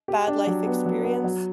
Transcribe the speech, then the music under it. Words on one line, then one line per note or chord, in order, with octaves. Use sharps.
bad life experience.
G4
D4
F#3
B3
F#3
B3
F#3